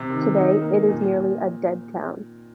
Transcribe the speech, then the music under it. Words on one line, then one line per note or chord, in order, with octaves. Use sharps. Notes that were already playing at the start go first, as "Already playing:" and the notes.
Today it is nearly a dead town.
Already playing: C3
D#3
D#4
A#3
A#2
A#2